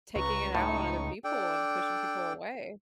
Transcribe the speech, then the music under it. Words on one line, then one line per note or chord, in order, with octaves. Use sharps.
taking it out on other people, and pushing people away.
C#2 B4 A#5 C#6
A2 D#4 C#6
D4 A4 D5 G5